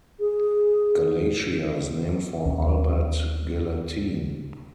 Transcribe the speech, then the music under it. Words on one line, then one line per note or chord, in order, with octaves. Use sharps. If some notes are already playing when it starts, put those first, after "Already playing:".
Galatia is named for Albert Gallatin.
G#4
D#2 C#4